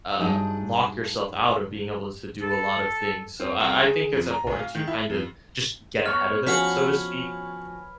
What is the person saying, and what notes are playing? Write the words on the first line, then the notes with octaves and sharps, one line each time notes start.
uh, lock yourself out of being able to do a lot of things. So, I I think it's important to kind of just get ahead of it so to speak.
G2 F#3 D4 D#4 G#4 D#5
A4
C4
C2
G#3
F2
A#5
D2
F5
D#3
E4
F2
B3 C#5 F6
F3 C#4 F#4 F5 F#5 G#5 F6 B6